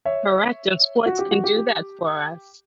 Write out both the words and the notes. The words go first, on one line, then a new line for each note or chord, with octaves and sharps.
Correct, and sports can do that for us.
C#5 E5
F#4
G4
F#4
G4
G4